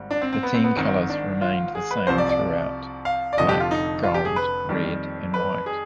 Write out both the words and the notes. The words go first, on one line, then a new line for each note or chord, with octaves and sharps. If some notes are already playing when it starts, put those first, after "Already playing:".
The team colours remained the same throughout; black, gold, red and white.
Already playing: G#1 G#2 G3
D4
C4
C4
B3
C4
B3
G#1 G#2 D#3 C4
D4
F4
G#4
B4
C2 C3 F3 C5
D5
D5
F5
D5
F1 F2 D3 F3 D#5
G4
F4
D#4
F4
G4
G#4
B4
F2 D#3 G3
B4
G#4